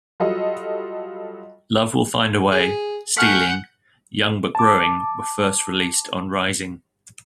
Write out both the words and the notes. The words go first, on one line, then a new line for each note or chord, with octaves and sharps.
"Love Will Find a Way", "Stealing", "Young But Growing" were first released on "Rising".
F#3 G3 F4 A4 D#5
G#4
A3 F#5 G#5 F6 G6 B6
A5 D6